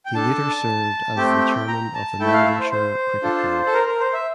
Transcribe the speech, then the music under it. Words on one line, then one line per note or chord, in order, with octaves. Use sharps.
He later served as the chairman of the Nottinghamshire Cricket Board.
G5
D4 A4 A5
A3 C4 G4 G5
A#5
A5
A3 E4 A4 G5
E5
F5
E5
C5
C5
D4 F4 A4
A4
A#4
A#4
C5
E5